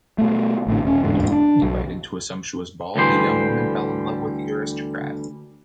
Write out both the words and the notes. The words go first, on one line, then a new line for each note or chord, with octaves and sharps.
Invited to a sumptuous ball, the young woman fell in love with the aristocrat.
B2 A3
A1 A2 D3
D#1 C#4
D1 E2 G#2 D3
D4
B1
D2 D3 E3 G3 C5